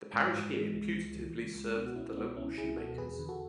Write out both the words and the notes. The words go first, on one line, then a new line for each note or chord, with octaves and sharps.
The parish here putatively served the local shoemakers.
G#2
G#2
E3 G#3
C#2
C#2
E3
C#3
C#2
B2 B3 D4
F#4
C#2 C#4 E4
B2 B3 D4
C#2 C#4 E4
C#2 E4 G#4
B2 F#4 A4
E2 G#4 B4
D3
F#4 A4